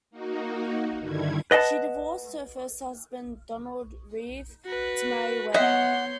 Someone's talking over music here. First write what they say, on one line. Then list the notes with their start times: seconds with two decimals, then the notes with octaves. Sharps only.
She divorced her first husband, Donald Reeve, to marry Weir.
0.11 A#3 D#4 F#4
1.00 G2 D3 D#3 G3 E4 G#6
1.51 B4 D#5 F#5 A5
4.65 F#4 B4
5.54 B3 C#5 D#5 E5 F#5 C6 G6